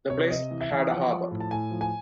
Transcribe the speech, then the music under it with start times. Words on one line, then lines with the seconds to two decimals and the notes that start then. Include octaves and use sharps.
The place had a harbour.
0.10 C3 C#5
0.30 C3 D#5
0.51 E3
0.61 E5
0.71 E3
0.91 F3 F#5
1.11 F3
1.31 A2
1.40 A5
1.51 A2 G#5
1.71 F3
1.81 G#5